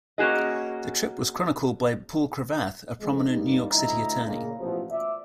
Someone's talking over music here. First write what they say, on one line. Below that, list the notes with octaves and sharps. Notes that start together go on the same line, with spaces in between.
The trip was chronicled by Paul Cravath, a prominent New York City attorney.
A#3 C#4 F#4 G#4 D#5
F2 G#3
G2 A#2 G3 D#4
D2 E4 D#5 A#5
A#2 C#3
A1 B2 E3 F3
D5 E5